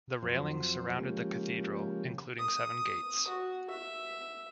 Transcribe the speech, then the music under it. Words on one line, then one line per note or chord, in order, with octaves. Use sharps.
The railings surrounded the cathedral, including seven gates.
F2 F#3 C4 C5
C#3 F3 G#3 A#3 G4
D#6
F#4
E5